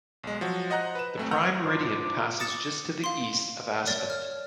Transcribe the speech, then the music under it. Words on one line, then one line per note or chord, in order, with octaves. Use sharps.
The Prime Meridian passes just to the east of Aspenden.
B1 G#3
F3 F#3 F#4
C5 D#5 F#5 A#5 F#6
B4 E7
F#2 A3 C4
F#5 A#5 E6 F6 G6
G1 D4 F4 C5 D6
D6 D#6 A6 A#6 C#7 E7
F5 C6
A#4 C#5 D5
C#5 F6